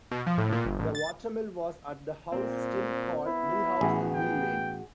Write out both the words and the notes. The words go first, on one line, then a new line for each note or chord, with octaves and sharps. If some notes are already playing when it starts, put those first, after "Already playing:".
The watermill was at the house still called Mill House in Mill Lane.
B2
F3
A2
A#2
G1
A1
A6
A#2 C4
B3 E4
A1 F#4 G#4
G5